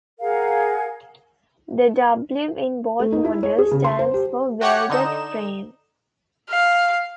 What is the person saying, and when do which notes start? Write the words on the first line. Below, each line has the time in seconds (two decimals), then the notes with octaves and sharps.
The "W" in both models stands for welded frame.
0.20 G#4 A#4 F5 F#5
2.99 A3
3.12 D#4
3.25 E4
3.43 C#5
3.58 G#4
3.71 C#3
3.84 C6
3.99 C5
4.14 G4
4.61 F#4 G4 C#5 F#5 F#6 C#7
4.90 D3 D#4 E7
6.49 F5